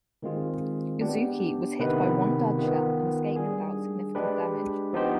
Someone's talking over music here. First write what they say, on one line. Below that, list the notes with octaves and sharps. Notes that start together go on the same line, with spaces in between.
"Uzuki" was hit by one dud shell and escaped without significant damage.
D#3 G#3 C4 F4 G#4
B3 D4 G4
C3 D#3 B3 D#4 B4
D#3 B3 F4
G3 D4 G#4
G#3 D4 G4 B4
F3 B3 D#4 G4 C5